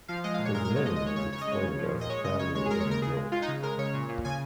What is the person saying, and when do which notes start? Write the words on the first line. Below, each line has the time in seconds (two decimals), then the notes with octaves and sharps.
His name is explained as a family in-joke.
0.08 F3 F5
0.24 G#3 D#5
0.34 F5
0.39 A#2
0.45 C#5
0.54 G#3 A#4
0.65 A#4
0.70 G#3
0.76 C#5
0.86 F3 D#5
0.96 D#5
1.02 G#3 C#5
1.16 C#3 C#5
1.32 C#3 C#5
1.41 D#5
1.48 G#3 C#5
1.63 C#3
1.79 F3
1.94 A#2
2.01 D#5
2.09 G#3 C#5
2.24 C#3 D#5
2.39 C#3 C#5
2.55 G#3 C#5
2.66 G#4
2.70 G#3 A#4
2.80 C#5
2.86 C#3 A#4
3.01 C#3 G#4
3.16 G#3
3.32 G#3 F4
3.42 D#4
3.48 C#3
3.63 G#3 A#4
3.78 C#3 C#5
3.94 A#2
4.09 A#2
4.25 C#3 G#5